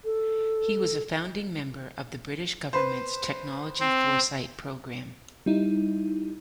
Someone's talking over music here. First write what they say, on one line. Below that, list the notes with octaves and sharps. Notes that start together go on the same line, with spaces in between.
He was a founding member of the British Government's Technology Foresight programme.
A4
B4 C5
C4
G3 D#4 E4